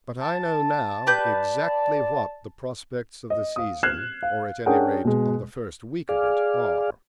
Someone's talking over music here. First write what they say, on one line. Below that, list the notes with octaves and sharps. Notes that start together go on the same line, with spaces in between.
But I know now exactly what the prospects of the season--or, at any rate, of the first week of it--are.
A5
G4 B4 D5 G6
D#5
F5 D#6
F6 F#6 G#6 C7 E7
F5
C#4 D4 G#4 A#4 F#5 G5
B2 G#3
G#4 D5 F5